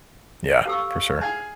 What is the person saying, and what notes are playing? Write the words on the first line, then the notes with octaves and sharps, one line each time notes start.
Yeah. For sure.
G4 A4 F5 C#6 E6
G#4 F5 G#5